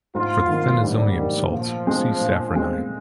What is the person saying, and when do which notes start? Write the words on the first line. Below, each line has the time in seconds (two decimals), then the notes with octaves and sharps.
For the phenazonium salts, see safranine.
0.14 G#2 F4
0.49 D#3 A#3
0.83 G#2 G3
1.17 D#3 A#3
1.52 A#2 F3
1.87 G#3 C4
2.21 A#2
2.55 G#3 C4